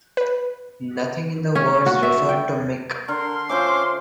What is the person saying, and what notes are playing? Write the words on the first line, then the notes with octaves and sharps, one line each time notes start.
Nothing in the words referred to Mick.
B4
C#4
F#4
E5
G5
D3 A#4 C6
C#4 F4 C5 E5 D6